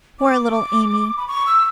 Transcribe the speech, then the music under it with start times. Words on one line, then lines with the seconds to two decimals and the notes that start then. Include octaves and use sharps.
Poor little Amy!
0.19 D6
1.17 B5
1.28 C#6
1.46 E6